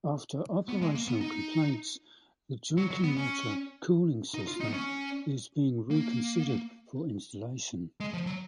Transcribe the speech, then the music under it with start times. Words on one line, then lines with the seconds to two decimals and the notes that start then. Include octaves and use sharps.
After operational complaints the drinking water cooling system is being reconsidered for installation.
0.69 B3
0.82 G#3
0.95 A#3
1.08 B3
1.21 D#4
2.78 F#3
2.91 F#3
3.04 B3
3.17 C#4
4.34 D#4
4.47 F4
4.60 D#4
4.68 B3
4.73 C#4
5.91 A#3
8.00 G#3
8.13 F3
8.26 F#3